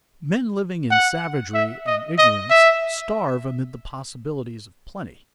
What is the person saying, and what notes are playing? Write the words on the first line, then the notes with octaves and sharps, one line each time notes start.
Men living in savagery and ignorance starve amid the possibilities of plenty.
F#5
E5
D#5
D#5
E5